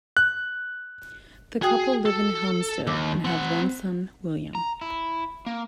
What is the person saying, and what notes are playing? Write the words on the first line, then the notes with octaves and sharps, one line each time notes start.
The couple live in Helmsdale and have one son, William.
F#6
F#4 G#4 G5 D#6
A4
D#2 D6 E6
C4 F#5
A#5
E4
A#3